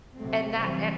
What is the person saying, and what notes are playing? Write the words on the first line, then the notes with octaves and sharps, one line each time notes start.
And that and
C3 F#3 A3 C4
C3 E3 F#3 G3 C4